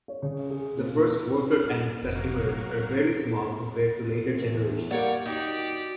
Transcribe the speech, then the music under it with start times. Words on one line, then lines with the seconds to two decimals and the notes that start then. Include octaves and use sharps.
The first worker ants that emerge are very small compared to later generations.
0.08 C#5
0.22 C#3
0.50 G#4
0.77 A#2
1.63 G2
2.03 F1 D2
2.15 F#3 A#3
2.52 F4
4.23 E2
4.91 G3 A#3 C#5 D5 F#5
5.26 D#4 F#4 G4 D5